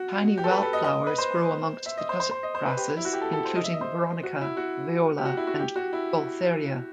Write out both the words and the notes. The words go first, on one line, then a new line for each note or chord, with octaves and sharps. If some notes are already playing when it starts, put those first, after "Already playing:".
Tiny wildflowers grow amongst the tussock grasses including "Veronica", "Viola" and "Gaultheria".
Already playing: F#4
G4
A4
B4
A4
D#5
D#5
B4
C5
E5
D#5
C5
C5
C5
D#5
C5
B4
G4
E4
F#4
G4
A4
A4
C5
D#5
E5
D#5
C5
F#4
E4
F#4
G4
F#4
E4
F#4
G4
F#4
E4